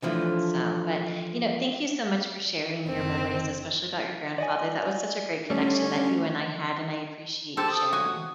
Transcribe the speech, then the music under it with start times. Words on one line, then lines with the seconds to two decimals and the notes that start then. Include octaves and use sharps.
so but, you know, thank you so much for sharing your memories, especially about your grandfather. That was such a great connection that you and I had, and I appreciate you sharing.
0.02 D3 E3 F3 A3
2.88 F#1 D3 D#3 C4
4.38 D5 D#5 G#5
5.50 G3 A3 C#4
7.57 C4 G4 A4 A5
7.71 D#6
7.92 F#4 G#5